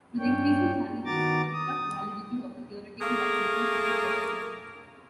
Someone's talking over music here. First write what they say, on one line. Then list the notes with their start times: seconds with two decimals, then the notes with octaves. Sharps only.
With increasing challenges, the construct validity of a theoretical definition can be questioned.
0.19 G2 C#4 D4 C#5 G5
1.06 D#3 B3 F#4 A#5 D6 A6
1.53 D#6
3.01 A3 A#3 G#4 A#4